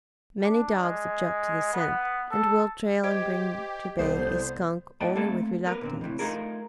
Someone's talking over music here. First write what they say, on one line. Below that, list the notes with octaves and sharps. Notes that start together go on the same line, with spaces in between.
Many dogs object to the scent and will trail and bring to bay a skunk only with reluctance.
D4
G#3
B3
A4
G4 C5 D#5 G#6 D7
C2 B3 A4 C5 D5
A2 B3 D5 D#5 G5 A5
A3 A#3 C4 A4 C5 G#5
B3 A#4 B4
A#2 D3 C4
F2 A2 C3 E3
A3 D#4 F4 G#4 A#4